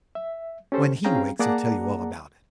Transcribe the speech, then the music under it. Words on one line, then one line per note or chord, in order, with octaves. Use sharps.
When he wakes he'll tell you all about it.
E5
C#4 G4 A4 C5
C4 C#4 G#4 F5 G5 A#5
A#3 G#4 D5 F#5 A5 A#5